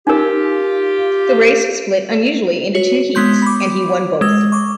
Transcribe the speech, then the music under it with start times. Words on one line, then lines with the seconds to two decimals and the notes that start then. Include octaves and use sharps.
The race was split unusually into two heats, and he won both.
0.07 D#4 F4 G4 A#4
2.75 F#4 C#5
3.15 G#3 B3 C6 G6
3.42 B5 D6
4.21 G#3 E6
4.52 C#6 D6